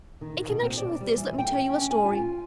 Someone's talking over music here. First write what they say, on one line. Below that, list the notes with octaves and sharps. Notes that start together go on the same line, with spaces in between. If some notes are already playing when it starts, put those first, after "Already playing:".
In connection with this, let me tell you a story.
D#3
B2
C4
D5
G3
E3
G5
C#4
G#5
F4